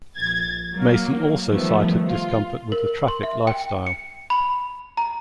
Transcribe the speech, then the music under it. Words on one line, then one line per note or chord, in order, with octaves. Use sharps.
Mason also cited discomfort with the Traffic lifestyle.
A#1 G#6 A6
F#3 A#3
D#3 F3 G3 A3 B3
F4
A#4
C6
E5
G5
C#7
B5
A#5